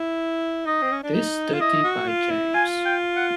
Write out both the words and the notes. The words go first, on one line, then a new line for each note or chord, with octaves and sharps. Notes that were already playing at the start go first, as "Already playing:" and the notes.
This study by James.
Already playing: E4
D#4 D#5
C4
C#4
D4
D#4
F4
E4 D#5
F#4
F4
E4
F4 G#5
G5
F#5